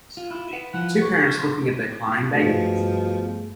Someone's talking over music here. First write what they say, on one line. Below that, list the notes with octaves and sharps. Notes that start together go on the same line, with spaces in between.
Two parents looking at their crying baby.
F4
E4 F4
B4 F#5
F3 E4 F4 F#5
G4 B4 C#5
G2 B2 F3 A3 G#4